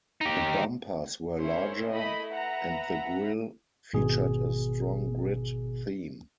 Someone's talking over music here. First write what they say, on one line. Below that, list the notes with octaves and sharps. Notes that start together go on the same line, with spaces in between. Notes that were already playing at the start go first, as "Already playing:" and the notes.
The bumpers were larger, and the grille featured a strong grid theme.
D#4 G4
C#4 E4 A#4 C5 C#5
A3 E4 D#5 B5
B4 E5 F#5 A#5
G#1 B2 G#4